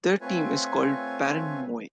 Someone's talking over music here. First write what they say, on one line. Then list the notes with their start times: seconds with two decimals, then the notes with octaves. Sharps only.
Their team is called Barrenmoey.
0.21 A3 C4 F4 B4 C#5 G#5